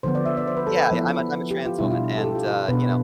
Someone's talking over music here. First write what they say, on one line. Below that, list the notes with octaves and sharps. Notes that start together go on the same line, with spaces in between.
Yeah, I'm a I'm a trans woman. And, uh, you know,
D3 F3 B3 C5
D5
E5
D5
C5
B4
A4
B4
F3 B3 E4
G4
F4
B2 G3 D4 E4
F4
A4
G4
F4
F4
B2 B3 D4 B4